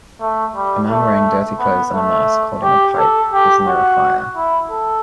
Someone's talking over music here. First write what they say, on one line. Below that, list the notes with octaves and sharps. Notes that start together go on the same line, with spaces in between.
A man wearing dirty clothes and a mask holding a pipe that is near a fire.
A3
G3
A3
B3
A3
G4
A4
G4
F#4
E4
A4